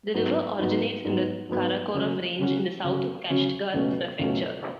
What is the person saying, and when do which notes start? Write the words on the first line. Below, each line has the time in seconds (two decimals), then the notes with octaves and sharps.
The river originates in the Karakoram range in the south of the Kashgar Prefecture.
0.14 G#2 F#3 B3
0.59 G#2 F#3 B3
1.05 G#2 F#3 B3
1.49 G#2 F#3 B3
1.94 C#3 F#3 C#4 F#4
2.39 C#3 F#3 C#4 F#4
2.84 C#3 F#3 C#4 F#4
3.30 C#3 F#3 C#4 F#4
3.74 C#2 B2 F#3 A3 C#4
4.19 C#2 B2 F#3 A3 C#4